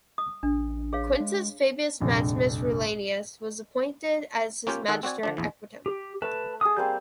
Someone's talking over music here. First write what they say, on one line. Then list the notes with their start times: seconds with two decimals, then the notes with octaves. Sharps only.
Quintus Fabius Maximus Rullianus was appointed as his magister equitum.
0.18 D#6
0.43 A1 D4
0.93 G#4 C#5 F5
1.20 G#3
2.01 F1 A#1 G2
4.67 A#3 C#4 F4 G4 C#5 G5
4.88 D#3 G#4 A4 F#5
5.03 C4 F#4 D5 G#5
5.23 D3 F3 D4
5.37 A#1 E2 E3
5.86 G4
6.22 A3 B4 A5
6.61 G#4 A5 D#6
6.77 G3 A#3 C4 G6